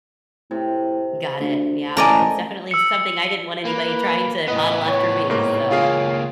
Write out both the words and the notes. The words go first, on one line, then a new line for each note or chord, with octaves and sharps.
Got it, yeah. It's definitely something I didn't want anybody trying to model after me, so
A2 C3
D2
A1 G#3 A3 A#4 D5 D#5 G#5 A5
E6 C#7
A#3 B4
A2 B3 B4 D#5
C#5
G#2 A#3 C#5
C#2 A#3 F4 G#4 F5